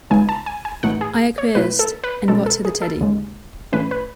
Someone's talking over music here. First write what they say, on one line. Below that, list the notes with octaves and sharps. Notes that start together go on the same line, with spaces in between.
I acquiesced and bought her the teddy!.
C#2 C#3 G#3 B3 D#4 G#5
A5
G#5
G#5
A1 A2 E3 A3 D#4 F#5
G#4
C#5
B2 A3 E4 B4
A4
B4
B2 G#3 C#4 A4
A4
G#4
A4
D#2 C#3 G#3
A2 E3 A3 C#4 B4
B4